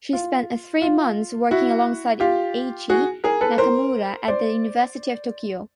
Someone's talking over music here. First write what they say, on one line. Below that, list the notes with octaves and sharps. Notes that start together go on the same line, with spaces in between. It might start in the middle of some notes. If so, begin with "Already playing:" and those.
She spent three months working alongside Eiichi Nakamura at the University of Tokyo.
F4
F4
E4 F#4
F4 G4
F#4 G#4
G#4 A#4
A4 B4
A#4 C5
C5 D5